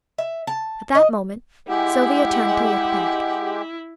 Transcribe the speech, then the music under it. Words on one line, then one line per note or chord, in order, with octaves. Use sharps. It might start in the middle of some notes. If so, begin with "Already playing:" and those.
At that moment Sylvia turned to look back.
E5
A5
D#5
G#3 E4 G4 F#5